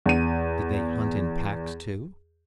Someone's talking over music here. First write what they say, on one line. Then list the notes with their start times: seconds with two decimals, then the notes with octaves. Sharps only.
Did they hunt in packs, too?
0.06 E2 D#7